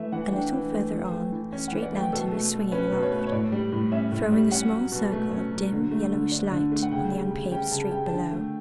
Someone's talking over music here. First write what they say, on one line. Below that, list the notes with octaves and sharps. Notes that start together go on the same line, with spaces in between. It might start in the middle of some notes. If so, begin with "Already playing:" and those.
A little further on a street lanthorn was swinging aloft, throwing a small circle of dim, yellowish light on the unpaved street below.
Already playing: E3 A3 E5
E3 F#5
D4 G5
E3
A3
E3
A3
E3
C#4
E3 F#5
D5
A3 G5
B2 A4
A3
B2
C#4 B4
B2 B4
C#5
A3 B4
C#5
A2 D5
G3
A2
C#4 E5
A2
G3
C#4 F#5
F#3
B2
A3
C#4
F#3
D3
A3
D3
D4
D3
A3
F#5
C#3 G5
G3
C#3
C#4 G5
C#3 A5
G3 G5
A5
D3 G5
A3